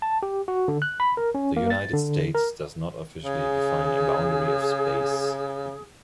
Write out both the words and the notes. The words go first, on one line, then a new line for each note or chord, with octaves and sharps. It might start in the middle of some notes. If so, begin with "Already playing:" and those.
The United States does not officially define a "boundary of space".
A5
G4
F#4
D3
F#6
B5
A#4
C#4
A#3
A6
D3
A#4
C#3 G#4